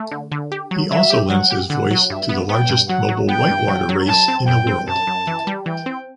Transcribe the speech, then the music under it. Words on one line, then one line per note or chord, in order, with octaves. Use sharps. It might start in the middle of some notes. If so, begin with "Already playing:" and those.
He also lends his voice to the largest mobile white-water race in the world.
Already playing: A3
D3
D3
G4
F#3
F#3 E5
G4
F#3 F#5
G4
D3 F#5
F#3
G2 E5
B3
B3 G5
G2
F#3 F#5
F#3
B3 G5
G2
F#3
F#3
F#2 A5
C4
F#2 G5
C4
F#2 A5
F#2
E3
G3
E3 G5
C4